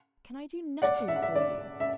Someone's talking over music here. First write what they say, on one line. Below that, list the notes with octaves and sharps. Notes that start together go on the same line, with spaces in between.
Can I do nothing for you?'
D5 F#5
E5
F#5
E5
D5
E5